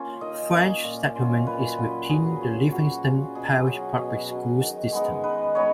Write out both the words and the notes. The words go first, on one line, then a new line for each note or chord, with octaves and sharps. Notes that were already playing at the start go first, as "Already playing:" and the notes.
French Settlement is within the Livingston Parish Public Schools system.
Already playing: A#3 C#4 F4
D#3 D#5
A#3 C#4 F4
A#2
F#3 C#4 F4
A#2 B4
F#3 C#4 F4
F#3 G#4
C#4 F4
F#3 F#4
C#4 F4
B2 G#4
F#3 C#4
B2
F#3 C#4
D#3
G#3 B3 D#4
D#3 B4
G#3 B3 D#4 C#5